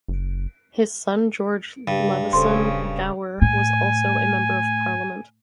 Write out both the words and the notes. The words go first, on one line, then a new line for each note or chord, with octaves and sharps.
His son George Leveson-Gower was also a Member of Parliament.
F#1
G2 C#3
D#1 C#3 A4 C5 C6
A2 G#5